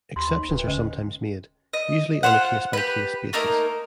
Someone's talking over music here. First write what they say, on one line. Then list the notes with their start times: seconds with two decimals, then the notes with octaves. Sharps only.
Exceptions are sometimes made, usually on a case-by-case basis.
0.16 D#2 B5 C6
0.29 D#4
0.49 D1 D2 B4
0.67 D3 C#4 C5 D#5 G5
1.73 D#5
2.23 F4 G4 C5 F#5
2.73 G4 B4
3.33 A3 A#3 D#4 A#4